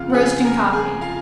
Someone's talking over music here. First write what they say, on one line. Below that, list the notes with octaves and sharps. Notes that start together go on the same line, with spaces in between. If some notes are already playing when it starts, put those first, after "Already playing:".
Roasting Coffee.
Already playing: F2 C#3 F4 F5
F#5
G#4 G#5
A#4 A#5
G#4 G#5
F4 F5